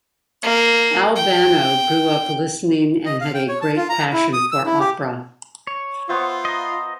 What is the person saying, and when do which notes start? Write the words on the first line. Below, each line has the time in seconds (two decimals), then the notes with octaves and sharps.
Al Bano grew up listening and had a great passion for opera.
0.43 A#3
1.16 G5
3.05 D#5
3.21 F5
3.34 G5
3.48 C#5
3.61 A5
3.76 F4
3.89 A#5
4.13 E4
4.33 D#6
4.52 E6
4.66 E4
4.80 G4
5.67 C#5
6.09 B3 F4 C5 E5
6.45 D#5 A#5